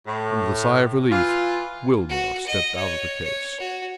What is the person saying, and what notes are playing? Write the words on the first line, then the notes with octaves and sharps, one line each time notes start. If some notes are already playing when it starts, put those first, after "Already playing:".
And with a sigh of relief, Wilma stepped out of the case.
A2
E3 F4
F#4
D#5
C#5
C#5
F#4